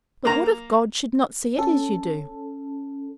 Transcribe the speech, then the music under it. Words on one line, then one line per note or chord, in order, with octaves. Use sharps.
"But what if God should not see it as you do?"
A#3 A#5
C#4 A4